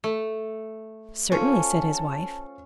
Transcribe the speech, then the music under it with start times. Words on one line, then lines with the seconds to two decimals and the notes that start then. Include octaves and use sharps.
"Certainly," said his wife.
0.04 A3
1.32 C#4 F4 A4 C5 A5